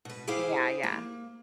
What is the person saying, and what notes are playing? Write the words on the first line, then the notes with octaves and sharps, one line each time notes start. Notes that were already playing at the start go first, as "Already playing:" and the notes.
Yeah, yeah.
B2 B4
E4 G4 G#4 C5 F5
A#3